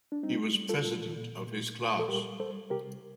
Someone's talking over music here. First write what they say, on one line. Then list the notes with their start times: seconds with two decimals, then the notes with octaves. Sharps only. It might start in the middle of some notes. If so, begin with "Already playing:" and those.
He was president of his class.
0.12 D4
0.23 G3 C4 D#4
0.55 G3
0.69 F4 A4
0.85 A#2
1.16 A#2
1.47 A#2
1.78 A#2
1.99 A4
2.08 G3 G4 A#4
2.40 G3 A4 C5
2.70 C3 G4 A#4